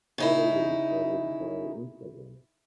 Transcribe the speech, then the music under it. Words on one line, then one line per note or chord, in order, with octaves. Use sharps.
Taylor was discovered via Instagram.
C#3 D#4 E4